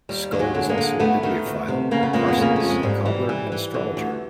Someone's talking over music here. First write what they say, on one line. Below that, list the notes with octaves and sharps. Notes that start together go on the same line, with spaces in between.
Scull was also a bibliophile and Parsons a cobbler and astrologer.
D#2 G3
D#2
F#3 G#3
D3
G#3 A#3
D3
D2 A3 B3
D#3
D2
C3
C#3 A#3
B3
F2 G#3 A#3
B3
C#3 A#3
F2 A3
G#3
G#2 G3
E3
E3
E3
D3
D2